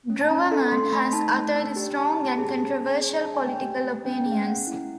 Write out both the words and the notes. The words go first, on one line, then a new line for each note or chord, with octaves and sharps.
Drewermann has uttered strong and controversial political opinions.
C#4
A5
C#4 A#5
A4
A3 C6
A3 B5
D#4 A5
A3
D4
G4
G4 A5
A5
G4
A5
G#4
C#4
G#4
G#4
D4 A5
G#5
A3 G5
G4 G#5
A3
C#4 G5
G5
G#4
F5
C#4 F#5
E4